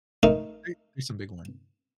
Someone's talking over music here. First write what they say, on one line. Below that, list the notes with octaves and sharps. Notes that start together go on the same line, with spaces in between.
the is a big one.
A3 D#4 A#4